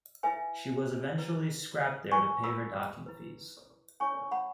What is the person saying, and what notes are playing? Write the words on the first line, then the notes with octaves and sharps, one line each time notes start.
She was eventually scrapped there to pay her docking fees.
E4 B4 E5 G#5
E4 B4
E4 B4 G#5 C#6
B5 E6
E4 B4
C#4 E4 C#5 G#5 C#6
F#5 B5